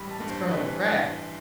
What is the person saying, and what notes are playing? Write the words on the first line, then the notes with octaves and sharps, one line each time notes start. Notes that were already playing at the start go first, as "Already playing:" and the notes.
"It's Colonel De Craye."
Already playing: A1 G3 B5
A5
G2
C5
E3 B4